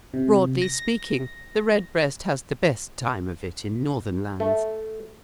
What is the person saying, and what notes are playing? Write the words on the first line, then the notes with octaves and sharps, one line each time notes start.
Broadly speaking, the redbreast has the best time of it in northern lands.
C3
A#6
A3